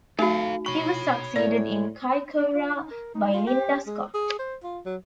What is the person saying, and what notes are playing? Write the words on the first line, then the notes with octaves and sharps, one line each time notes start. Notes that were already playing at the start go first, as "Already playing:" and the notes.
He was succeeded in Kaikoura by Lynda Scott.
A3 D#4 F#4 A4 F5
C#5 B5 C#6
A2 D5
D4
F4
D#4
A#4
D#4
F4
G4
G#3
G#4
C5
F4
F#3